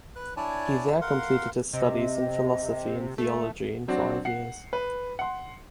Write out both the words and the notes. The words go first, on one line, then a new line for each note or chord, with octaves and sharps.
He there completed his studies in philosophy and theology in five years.
B4 F#6
D4 E4 C#5 D5 G#5 A5
A#4 F5 F#5 C6
C3 D#5
A3
F#3 C4 D4 F#4
F#5 C7
B4
F#5 C6